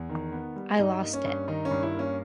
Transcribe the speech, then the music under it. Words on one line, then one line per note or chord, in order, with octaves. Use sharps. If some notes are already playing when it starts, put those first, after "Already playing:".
I lost it.
Already playing: E2
D#3
B3
G3
G2 D#4
A#3
C#4
G2
D#3 D#4
C#4
G2
E4
A#3 C#4